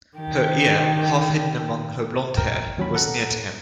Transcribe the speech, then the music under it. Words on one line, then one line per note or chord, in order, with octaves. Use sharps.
Her ear, half-hidden among her blonde hair, was near to him.
D#3 G4
A#4 G5
D#2 F#3 C#4 B5
A4 F#5 A#5